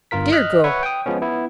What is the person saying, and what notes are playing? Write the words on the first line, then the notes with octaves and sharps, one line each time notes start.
Dear girl!
G1 G2 F4 A#4 B6
D#5 F6 F#6 B6
B4 C#5 E5 F#5 C#6
G5 D#6
F3 G#3 B3 C#4
B3 E4